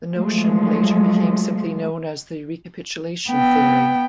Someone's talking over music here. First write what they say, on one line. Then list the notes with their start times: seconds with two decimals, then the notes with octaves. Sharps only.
The notion later became simply known as the recapitulation theory.
0.13 F3 F#3 G#3 A3
3.29 B3 G5